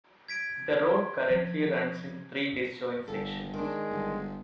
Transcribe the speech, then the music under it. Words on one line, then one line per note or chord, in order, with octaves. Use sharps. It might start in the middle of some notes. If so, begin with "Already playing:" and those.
The road currently runs in three disjoint sections.
G#6 B6 D7
F3
G1 A4
D#3 G#3 D4
G1